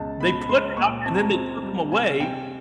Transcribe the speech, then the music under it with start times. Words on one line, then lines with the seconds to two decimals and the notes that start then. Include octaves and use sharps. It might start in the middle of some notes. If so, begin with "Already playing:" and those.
they put it out, and then they took 'em away
Already playing: C#2 B2 A5
0.20 B2 B5
0.41 B5
0.49 C#2 C6
0.77 A#2 C#6
1.06 C4 A5
1.15 A#5
1.23 A5
1.34 C4
1.63 G3
1.92 C3 G#5
2.20 C3 G5